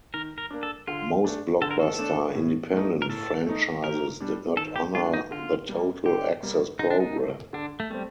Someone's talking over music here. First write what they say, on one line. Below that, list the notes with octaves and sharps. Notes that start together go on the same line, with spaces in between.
Most Blockbuster independent franchises did not honor the Total Access program.
D#3 A#4
A#4
A#3 D4
A4
D3 F4
A3 D4
D3 A4
A#4
A4
A3 D4
A2
A3 D#4
A#4
A2 A4
A3 D#4
D#3 A#4
G3 D4
D#3 A4
G4
G3 D4 F4
D#4
D3 F4
G3 A#3
D3 G4
G3 A#3
D3 D#4
D4
D#4
A3 C4
D3 D4
A3
G3 A3 C4